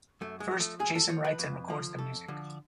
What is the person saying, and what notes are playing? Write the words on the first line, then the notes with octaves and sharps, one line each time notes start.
First, Jason writes and records the music.
F#2 A3
G#3
F3
A3
F#2 G#4
A4
F3 C#5
B4
F2
D3 F3
F2 A4
D3 F3